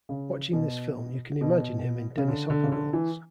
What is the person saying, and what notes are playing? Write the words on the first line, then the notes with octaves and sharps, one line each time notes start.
Watching this film, you can imagine him in Dennis Hopper roles.
C#3
B2
B2
C#3
D3
D3
C#3
D3
E3